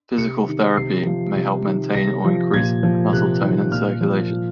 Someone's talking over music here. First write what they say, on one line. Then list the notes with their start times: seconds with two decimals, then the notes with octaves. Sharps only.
Physical therapy may help maintain or increase muscle tone and circulation.
0.18 C3 C#7
0.48 D#3
0.77 C3 C7
1.06 F3
1.35 C3
1.65 D#3
1.95 C3 A#6
2.24 F3
2.53 A#2 G#6
2.83 F3
3.12 C3 F#6
3.42 D#3
3.71 A#2 F6
4.01 F3
4.30 A#2